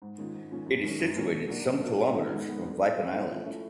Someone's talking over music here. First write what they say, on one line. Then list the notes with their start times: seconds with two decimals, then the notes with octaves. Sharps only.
It is situated some kilometres from Vypin island.
0.02 G#2
0.18 D#3 G#3 C#4 F4
0.35 G#2
0.51 D#3 G#3 C#4 F4
0.66 F#2
0.84 D#3 G#3 C#4
1.00 F#2
1.16 D#3 G#3 C#4
1.32 B2
1.48 F#3 A#3 D4
1.65 B2
1.82 F#3 A#3 D4
1.98 G#2
2.14 D#3 G#3 B3
2.30 G#2
2.47 D#3 G#3 B3
2.63 G3
2.80 B3 E4 G#4 C5
2.96 G3
3.12 B3 E4 G#4 C5
3.28 F3
3.45 A3 C#4 E4